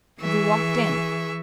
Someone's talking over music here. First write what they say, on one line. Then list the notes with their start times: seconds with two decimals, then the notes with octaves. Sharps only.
Have you walked in!...
0.20 E3 G#4 E5 C#6